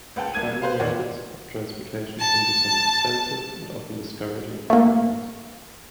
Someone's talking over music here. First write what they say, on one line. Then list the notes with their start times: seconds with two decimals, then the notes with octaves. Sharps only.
Finding methods of transportation can become expensive and often discouraging for elders.
0.16 C#2 B4 F#5 G5 A5
0.34 C2 A#3 G#6 D#7
0.62 B4 C5 F5
0.79 E2 A#2 D#3 C#5 D5 F#5
2.20 A5
4.70 A3 A#3